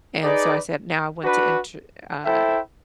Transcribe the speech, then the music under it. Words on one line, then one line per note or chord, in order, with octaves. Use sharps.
and so I said, “Now I want to enter “uh,
D#4 G#4 B4 D5
D4 F#4 B4
E4 A4 C5 E5 G5